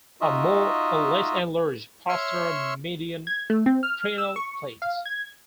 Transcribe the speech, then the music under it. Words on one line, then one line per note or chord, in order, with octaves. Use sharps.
A more or less enlarged postero-median preanal plate.
D#4 F4 F#4 D#5 E5
C#5 E5 C6 C#6 E6 F6
G#6
A3
C4
F6
E6
C#6
F5
G#6